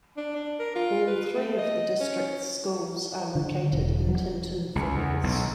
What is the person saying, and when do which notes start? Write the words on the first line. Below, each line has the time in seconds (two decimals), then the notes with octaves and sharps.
All three of the district's schools are located in Tinton Falls.
0.17 D4
0.36 D4
0.60 A#4
0.75 F4
1.07 B4
1.36 A3
1.58 D#5
2.01 C#4
3.35 D3
3.73 E1
4.09 F#3
4.76 C#2
4.94 E2
5.23 B1